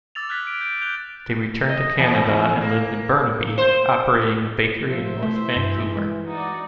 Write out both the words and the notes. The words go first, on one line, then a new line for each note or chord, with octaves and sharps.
They returned to Canada and lived in Burnaby, operating a bakery in North Vancouver.
D6 E6 A6 F7
F6 F#6 G#6 B6 F7
F6 D7
G6 D7
F#6 G6 D7 F7 G7
D#5
E2
A#3
C5
F3 C5 E5
E3 A3
G2
G#3
D#4 F#4 D5